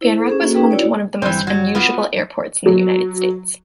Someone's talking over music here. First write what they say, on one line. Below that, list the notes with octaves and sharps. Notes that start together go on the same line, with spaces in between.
Fanrock was home to one of the most unusual airports in the United States.
E4 C5
A4
C#4 G#4 C5
A#3 F#4 A4
C#4 D#4 G#4 B4 G5
E4 F#4 C#5 D5
G1 E3 G3 C4
F#3
B3 F4 F#4
F#3